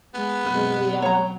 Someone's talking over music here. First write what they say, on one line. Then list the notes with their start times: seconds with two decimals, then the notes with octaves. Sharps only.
Ooh, yeah.
0.14 G#3 B3
0.46 F#2 B2 C4 B4
1.02 F#3 C#5 A#5